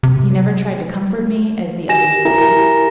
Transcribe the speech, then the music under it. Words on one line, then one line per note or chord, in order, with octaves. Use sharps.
He never tried to comfort me as the others did.
C3
F#4 G4 G#5 A#6 E7
E4 G4 A#4 A#5